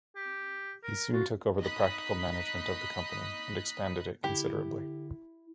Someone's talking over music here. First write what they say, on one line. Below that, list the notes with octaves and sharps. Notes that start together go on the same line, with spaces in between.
He soon took over the practical management of the company, and expanded it considerably.
G4
A#4
F4 F#4
D#4 D#5 B5 D#6 F#6 B6
D3 E4 G4